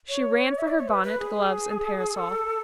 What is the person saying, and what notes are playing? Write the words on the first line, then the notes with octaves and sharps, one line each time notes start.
She ran for her bonnet, gloves and parasol.
C#5
E5
D5
C#5
B4
B4
G#4
A4